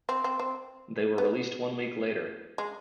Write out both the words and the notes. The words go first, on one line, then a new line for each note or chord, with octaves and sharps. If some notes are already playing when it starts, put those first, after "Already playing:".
They were released one week later.
C4
C4
C4
B3
G#3